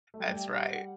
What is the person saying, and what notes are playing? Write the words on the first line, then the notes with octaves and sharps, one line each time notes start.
That's right.
A3
G3 G5
F#5